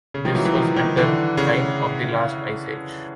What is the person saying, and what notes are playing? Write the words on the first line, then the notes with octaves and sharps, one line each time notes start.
This was at the time of the last ice age.
C#3
D#3 F3
E3 F#3
E3 F#3
D#3 F3
D#3 F3
D3 E3
C#3